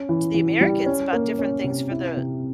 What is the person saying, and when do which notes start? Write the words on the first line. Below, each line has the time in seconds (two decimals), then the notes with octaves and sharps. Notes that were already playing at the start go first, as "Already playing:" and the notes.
to the Americans about different things for the
Already playing: C#4
0.09 E3
0.34 E3
0.61 G3
0.86 C#4
1.13 A#3
1.39 C#4
1.64 C3
1.91 E4
2.17 C3